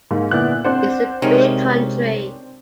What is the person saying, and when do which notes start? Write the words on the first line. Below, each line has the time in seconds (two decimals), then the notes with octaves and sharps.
It's a big country.
0.11 G#2 A#3
0.31 A#2 D3 B3 E4 D5 F#6
0.65 C4 D4 C5 F#5
1.22 C3 D#3 G#3 C#4